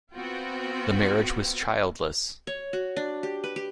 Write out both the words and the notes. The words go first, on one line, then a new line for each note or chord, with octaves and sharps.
The marriage was childless.
B3 C4 F4 F#4 G5
C#5
F#4
D4
G4
B4
G4